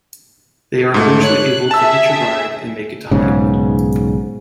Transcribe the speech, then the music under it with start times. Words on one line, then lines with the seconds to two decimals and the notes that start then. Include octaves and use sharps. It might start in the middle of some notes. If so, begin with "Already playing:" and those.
They are eventually able to hitch a ride and make it to Hollywood.
0.94 G#2 A3
1.23 C#5 F#6
1.71 G#4 E5 A5 E6
3.11 B1 G#2 C#3